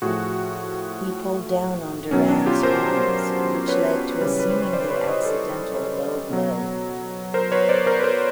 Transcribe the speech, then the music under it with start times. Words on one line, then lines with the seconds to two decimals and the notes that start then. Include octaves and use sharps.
He pulled down on Duran's arms, which led to a seemingly accidental low blow.
0.02 A2 F3 F#4 G#4
2.11 B2 F#3 C#4
2.29 D4
2.46 F4 G4
2.63 A#4 C5
3.68 B4 C#5
4.21 C#3 E3 G3
4.40 B4
4.50 C5
4.62 C#5
4.73 C5 D5
4.90 B4 C#5
5.08 C#5 D#5
5.25 A4 B4
6.30 B2 F#3
7.34 A#4 C5
7.52 B4 C#5
7.69 C5 D5
7.86 A#4 C5
7.99 B4
8.04 A#4 C5